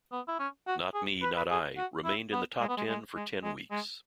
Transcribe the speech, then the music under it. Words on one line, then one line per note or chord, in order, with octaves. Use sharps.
"Not Me, Not I" remained in the top ten for ten weeks.
B3
E4
C#4
F#4
G#4
B4
B4
G#4
F#4
E4
B3
G#3
B3
G#3
G#3
G#3
G#3
G#3